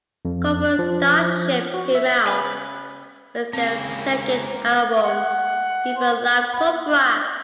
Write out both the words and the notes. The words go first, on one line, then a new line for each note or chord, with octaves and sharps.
Cobra Starship came out with their second album, “¡Viva la Cobra!”.
F2
F3
F#4
E5
C#3 B4
G#2 C#3 A#3 C4 C#4 E4 G4
F#5
C5
F#5 B5